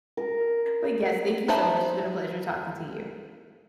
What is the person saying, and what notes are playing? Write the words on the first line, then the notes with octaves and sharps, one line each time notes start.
but, yes, thank you so much. It's been a pleasure talking to you.
A#4
D#4 C5 E5 A5 B5